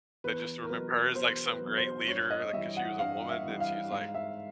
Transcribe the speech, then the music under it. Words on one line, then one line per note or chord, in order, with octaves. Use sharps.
They just remember her as, like, some great leader, like, 'cause she was a woman, and she's, like,
E2 B4
A#4
B2 F#3 B4
E2 C5
B4
B2 F#3
C5
G2 C#5
D#5
E3 G3 E5
F#5
G2 F5
E5
E3 G3
F5
G#2 F5
E5